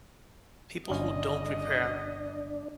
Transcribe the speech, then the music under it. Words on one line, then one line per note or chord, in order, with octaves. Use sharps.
people who don't prepare
G1 C#4 D4 D#5